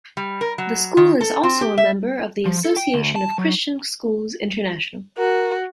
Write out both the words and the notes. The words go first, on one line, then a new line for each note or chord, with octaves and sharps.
The school is also a member of the Association of Christian Schools International.
G3
A#4
F#3
D#3
A4
C4
G4
E5
F3
A4
G5
D2
A5
F#3
F#4 A#4